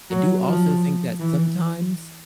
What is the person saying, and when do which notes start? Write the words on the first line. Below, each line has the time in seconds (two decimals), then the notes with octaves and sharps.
I do also think that sometimes
0.10 F#3
0.47 F3
1.19 E3